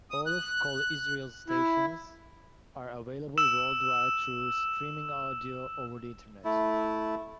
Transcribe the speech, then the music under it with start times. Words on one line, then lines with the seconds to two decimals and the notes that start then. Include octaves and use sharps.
All of Kol Israel's stations are available worldwide through streaming audio over the Internet.
0.11 D#6
0.26 F#6
1.48 E4
3.38 E6 E7
6.45 A3 E4